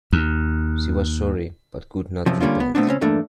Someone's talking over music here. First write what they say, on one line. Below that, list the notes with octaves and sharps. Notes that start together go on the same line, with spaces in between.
She was sorry, but could not repent.
D#2
F#2 C3 F3
D3 G3 A#3 C#4 D4 F4
B3
A#2 A3 B3 C4 D4
C#2 C4 C#4
E2 G2 A3 A#3 D4